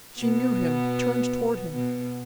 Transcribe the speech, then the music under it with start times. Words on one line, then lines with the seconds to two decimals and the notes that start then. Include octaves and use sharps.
She knew him, turned toward him.
0.19 B2 B3
1.73 B2 B3